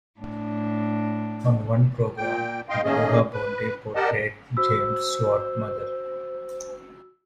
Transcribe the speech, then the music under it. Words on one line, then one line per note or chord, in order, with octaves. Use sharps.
On one program Beulah Bondi portrayed James Stewart's mother.
A2 D4
A#2 G5
G2 D#5 F5 G5 C6
D#3 A3 A#3 C#4 G#4 D#5
B4
G4 A#4 D5 D#5 F#5 A5
F#4 C5 E6